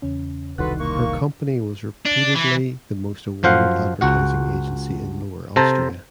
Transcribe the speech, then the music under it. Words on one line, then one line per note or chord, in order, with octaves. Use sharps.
Her company was repeatedly the most awarded advertising agency in Lower Austria.
E2 C#3 C#4
E1 C2 D#3 F#4 A4 B4 C6 F#6
A#3 C#6
D4
E3
F#2 F3 C5 F5 F#5
C#2 F#4 F#5
C3 A4 C5 A5 A#5